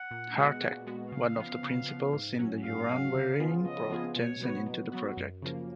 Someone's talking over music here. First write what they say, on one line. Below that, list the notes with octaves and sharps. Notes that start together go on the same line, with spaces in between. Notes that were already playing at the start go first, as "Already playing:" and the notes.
Harteck, one of the principals in the "Uranverein", brought Jensen into the project.
Already playing: F#5
A#2
G#3 B3 F#4
A#2
G#3 B3 F#4
C#3 F5
F3 B3
C#3
F3 B3
G#2
F#3 C#4 F#4
G#2 F5
F#3 C#4 F#4
C#3
F3 B3 F4 G#4
C#3 D#5
F3 B3 F4 G#4
B2 C#5
F#3 B3 F#4
B2
F#3 B3 F#4
F#2
C#3 F3 A#3